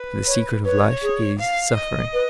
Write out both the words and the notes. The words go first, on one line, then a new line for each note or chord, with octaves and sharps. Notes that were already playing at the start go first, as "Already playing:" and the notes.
For the secret of life is suffering.
Already playing: B4
C#5
B4 C#5
G#4
F5
D#5
B4